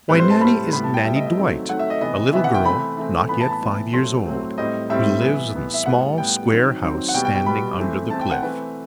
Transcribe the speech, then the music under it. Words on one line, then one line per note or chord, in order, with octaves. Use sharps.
Why, Nannie is Nannie Dwight,--a little girl not yet five years old, who lives in the small square house standing under the cliff.
A2 G3 C4 B4
C5
A5
A2 G3 C4 B5
A2 G3 B3 B5
A5
G5
A2 G3 B3 E5
D#5
E5
D#3 F#3 A3 C4
D#3 F#3 A3 C4 F#5
E5
D#5
C3 E3 B3 D#5
C3 E3 B3 E5
F#5
G5
E3 A3 C4 B5
E3 A3 C4
A2 E3 B3 B5
A5
B5
A2 E3 B3
A2 F#3 A3 C4 C6
A2 F#3 A3 C4
A2 G3 C4 D#5
A2 G3 C4 E5
E3 B3
E3 B3
E5
A2 G3 B3 F#5
A2 G3 B3 G5
D#3 F#3 C4
D#3 F#3 C4
F#5
B2 G3 B3 G5
G5
G5
B2 G3 B3 B5
E3 A3 C4
E3 A3 C4 A5
G5
F#5
E3 A3 C4 B4